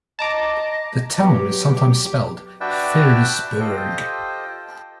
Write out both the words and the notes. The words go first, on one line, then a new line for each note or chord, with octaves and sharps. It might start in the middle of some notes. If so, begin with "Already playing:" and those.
The town is sometimes spelled Ferrisburg.
D#5 A5 A#5 D6
F#3 G3 B3 G4
D4 F#4 B4 D5 E5 G5
F4 G4 A4 C5 D#5 G5